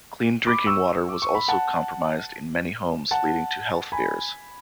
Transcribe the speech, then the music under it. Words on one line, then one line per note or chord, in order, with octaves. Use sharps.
Clean drinking water was also compromised in many homes leading to health fears.
B5 D6
C#6 E6
D6
C#6
B5
F#5 A5
F#5 A5
G#5 B5